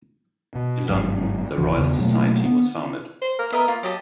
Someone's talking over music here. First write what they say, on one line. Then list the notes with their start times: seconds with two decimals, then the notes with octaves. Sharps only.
In London, the Royal Society was founded.
0.55 B2
0.89 G1 C#2 G#2 F#3
1.58 D1 C2 C3 E3
1.77 E2 C#3 B3
2.00 B2 F#3 A3 A#3
2.46 B3
3.22 C5
3.39 A#4
3.52 B3 A#4 D#5 E5
3.68 A#3 F4
3.83 F#3 G4 D#5 A5